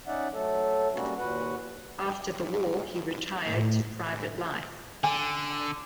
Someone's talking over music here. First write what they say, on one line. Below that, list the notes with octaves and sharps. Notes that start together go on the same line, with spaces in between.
After the war he retired to private life.
C#4 D#4 D5 E5 F#5
F#3 A3 A4
G3 A#3 C#4 F#4
D#2 A#2 F#4 B4 F#5
A2
D3 G#5